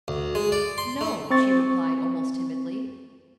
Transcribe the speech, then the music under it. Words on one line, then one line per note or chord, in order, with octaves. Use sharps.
"No," she replied, almost timidly.
D2
G#3
D5
C6
A3
C4 C#6 A6